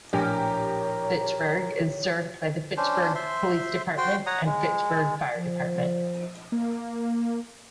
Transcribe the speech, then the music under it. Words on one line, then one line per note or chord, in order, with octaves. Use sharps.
Fitchburg is served by the Fitchburg Police Department and Fitchburg Fire Department.
A#1 A2 G4 A#4 C#5 G#5
C#4 D4 C5
C5 E5 C6
F#4 C5 G5 C6
C#5 F#5 A#5 D#6
G#3
F3
A#3